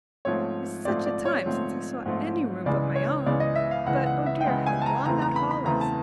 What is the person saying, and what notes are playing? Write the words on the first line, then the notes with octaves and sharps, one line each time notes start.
It is such a time since I saw any room but my own! But oh dear, how long that hall is!
G#2 F3 A3 C4 C#5
G#2 F3 A3 C4 D5
D5
C#5
G#2 F3 A3 C4
G#2 F3 A3 C4
C#2 C#3 E3 G#3 D5
C#5
C#2 C#3 E3 G#3 D5
D#5
E5
F5
C#2 C#3 E3 G#3 F#5
F#5
E5
G5
C#2 C#3 E3 G#3 F#5
G#5
A5
A#5
E2 C#3 E3 A3 C4 A#5
A#5
B5
B5
E2 C#3 E3 A3 C4 A#5
A5